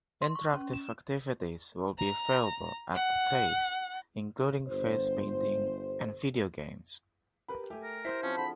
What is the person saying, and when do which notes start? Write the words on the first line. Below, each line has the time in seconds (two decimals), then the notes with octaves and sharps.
Interactive activities will be available at The Taste, including face-painting and video games.
0.22 C6
0.35 C#6
0.54 C#4
0.73 E7
1.98 A#5
2.94 F#5
4.68 G1 C5
7.48 G4 A#4 B4 B5
7.70 A3 G4 G#5 D6
7.83 A#4
8.05 E4 C5 B6
8.23 F3 C4 C#4
8.37 D3 G#4 A4 B5